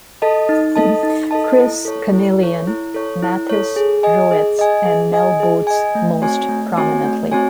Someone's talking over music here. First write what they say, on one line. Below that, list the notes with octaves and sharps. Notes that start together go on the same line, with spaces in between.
Chris Chameleon, Mathys Roets and Mel Botes most prominently.
A4 D#5 A5
D#4
A4 D#5 A5
D#4
A4 D#5 A5
E4
A4 C#5
E4
A4 C#5
E4
A4 C#5
E4
A4 C#5
G#4
D#5 G#5
G#4
D#5 G#5
G#4
D#5 G#5
G#4
D#5 G#5
A3
C4 F#4 C#5 G#5
A3
C4 F#4 C#5 G#5
A3
C4 F#4 C#5 G#5